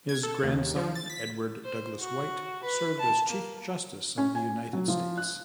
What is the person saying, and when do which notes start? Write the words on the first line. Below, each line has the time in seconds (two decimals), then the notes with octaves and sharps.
His grandson, Edward Douglass White, served as Chief Justice of the United States.
0.09 G#6
0.23 A4
0.43 D#2
0.76 F3
0.95 A6
1.10 B6
1.64 C5
2.00 F#4
2.63 B4
3.00 A5
3.29 A#3
4.18 C#4
4.35 G#5
4.73 F#3
4.88 F3
5.17 F#6